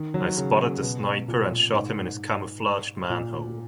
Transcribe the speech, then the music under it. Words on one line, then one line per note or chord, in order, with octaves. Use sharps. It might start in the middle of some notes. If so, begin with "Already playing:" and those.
I spotted the sniper and shot him in his camouflaged manhole.
Already playing: D#3
F#3
C#3
B2
A#2
G#2
A#2